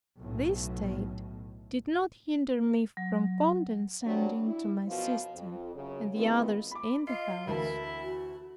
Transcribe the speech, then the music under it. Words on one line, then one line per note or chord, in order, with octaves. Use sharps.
This state did not hinder me from condescending to my sister, and the others in the house.
B1 A2
F#3
F#3 G3 C4 D4
E4
F#2 B2 F3
F2
F#2 C#3 C#4
D#3 E3 G#3 B3 C4 F4
B5 D6
F4 D#5 C7
D2 E3 E4 A#4 A5
F#4